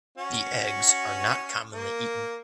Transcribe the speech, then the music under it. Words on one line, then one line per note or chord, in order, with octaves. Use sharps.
The eggs are not commonly eaten.
C#4 F#4
A#3